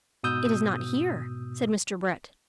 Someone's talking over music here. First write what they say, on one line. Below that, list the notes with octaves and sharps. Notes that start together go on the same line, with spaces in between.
"It is not here!" said Mr. Brett.
G#2 B2 D#6 E6 G6